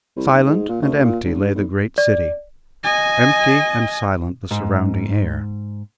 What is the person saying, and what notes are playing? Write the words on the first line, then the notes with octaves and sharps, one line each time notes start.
Silent and empty lay the great city--empty and silent the surrounding air.
C2
B1
G#2
A#2
D2
A#2
F1
G2
B1
D5
D#5 G#5
G#2